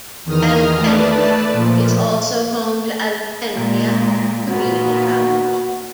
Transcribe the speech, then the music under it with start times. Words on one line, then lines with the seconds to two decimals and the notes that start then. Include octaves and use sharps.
Alpena is also home to Alpena Community College.
0.25 E2 D#3 D#6 F6
0.78 A3 B4 D5 A5
1.52 A#2 F3
3.54 A#2 G#3
4.49 A#2 B3 F#4